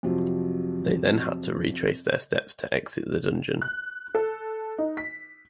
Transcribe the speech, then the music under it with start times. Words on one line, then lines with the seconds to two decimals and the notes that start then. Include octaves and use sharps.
They then had to retrace their steps to exit the dungeon.
0.03 F2 C3 F3 F#3
3.62 F#6
4.15 A4
4.78 D#4
4.97 B6